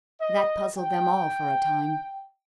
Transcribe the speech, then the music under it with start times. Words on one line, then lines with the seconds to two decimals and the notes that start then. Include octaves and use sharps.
That puzzled them all for a time.
0.21 D#5
0.77 G5